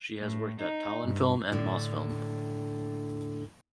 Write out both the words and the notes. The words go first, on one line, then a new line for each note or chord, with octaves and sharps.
She has worked at Tallinnfilm and Mosfilm.
A2
D#4
G2
A2 D3